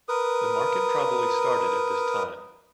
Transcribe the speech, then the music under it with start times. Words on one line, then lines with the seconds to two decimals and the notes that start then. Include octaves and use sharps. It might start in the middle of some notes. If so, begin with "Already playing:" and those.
The Market probably started at this time.
0.09 A#4 B4 D#6